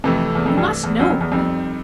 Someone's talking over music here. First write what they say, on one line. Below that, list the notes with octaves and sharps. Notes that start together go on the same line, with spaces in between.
You must know me!
F2 C3 E3 A3
E2
F2
G2
E2
F#2
F2
E2
F2 G3 C4 D#4